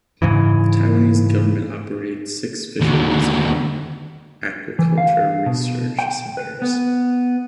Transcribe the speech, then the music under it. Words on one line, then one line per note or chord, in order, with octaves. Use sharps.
The Taiwanese government operates six fisheries and aquaculture research centers.
G#2 C#3 E3
D#2 D3
E3
F5
B2
G5
B4
B3